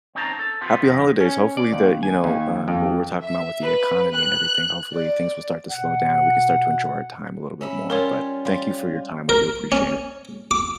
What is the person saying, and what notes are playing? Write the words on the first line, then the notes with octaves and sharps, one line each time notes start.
Happy holidays. Hopefully that, you know, uh, what we're talking about with the economy and everything, hopefully, things will start to slow down and we can start to enjoy our time a little bit more, but, thank you for your time, I do appreciate it.
C4 C#4 D#4 C5 A5 A#5
A4
B3 C4 F4 G4
C2 F2 D#3 B3
C#4
D5
D#2
G#5
D#2
F2
E5
B4
F#6
D5
B2 F#5
C#4 E5 B5
G3 C#4 F4 A#4 C#5
G3 F4
A#4
C#4
D6